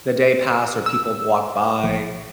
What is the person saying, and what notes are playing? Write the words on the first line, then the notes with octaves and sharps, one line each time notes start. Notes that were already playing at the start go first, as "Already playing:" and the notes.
the day pass or people walk by,
E6
A#1